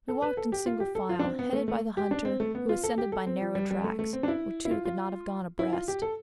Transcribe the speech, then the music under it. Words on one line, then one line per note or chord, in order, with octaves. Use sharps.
We walked in single file, headed by the hunter, who ascended by narrow tracks, where two could not have gone abreast.
A4
B4
A4
G4
F4
G4
A4
F4
D4
C4
B3
A3
A3
G4
D4
C4
A3
B3
F4
A4
G4
A4
C4
F3
G3
G3
A3
A3
C4
D4
E4
E4
F4
F4
E4
F4
G4
A4